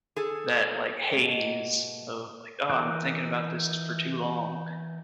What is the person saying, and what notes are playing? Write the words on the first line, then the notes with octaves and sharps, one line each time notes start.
that, like, haze of, like, "Oh, I'm thinking about this for too long."
G#4 A4
G#2 B2 A#3
E3 D#4 A#4 D6 F#6